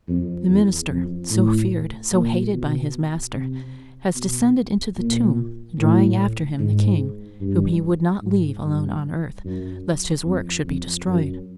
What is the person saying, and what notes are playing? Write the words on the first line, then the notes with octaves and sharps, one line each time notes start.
The minister, so feared, so hated by his master, has descended into the tomb, drawing after him the king, whom he would not leave alone on earth, lest his work should be destroyed.
F2
E2
F2
A2
A#2
B2
C3
B2
A#2
A2
G#2
G2
G#2
G2
F#2
F2
F2
F#2